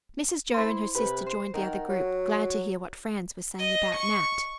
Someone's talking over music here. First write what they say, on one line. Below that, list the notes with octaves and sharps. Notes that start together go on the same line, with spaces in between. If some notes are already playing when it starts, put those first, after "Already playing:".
Mrs Jo and her sister joined the other group, glad to hear what Franz was saying about Nat.
E4 C5 C6
C3 B4
C5
D#3 A#4 F#5 G5
F#3
D#5
C#6